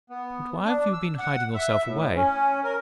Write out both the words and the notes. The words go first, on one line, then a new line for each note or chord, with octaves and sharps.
But why have you been hiding yourself away?
B3
D4
E6
F#5
E5
A2
C#4
A#4